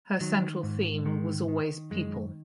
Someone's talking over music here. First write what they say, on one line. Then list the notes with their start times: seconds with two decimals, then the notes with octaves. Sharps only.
Her central theme was always people.
0.21 D#3 F#3
0.63 G#2
1.05 D#3 G#3
1.48 D#3
1.90 F#2 G#3